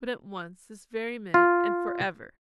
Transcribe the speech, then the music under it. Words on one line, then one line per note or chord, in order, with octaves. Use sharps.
But, at once, this very minute, and for ever.
F4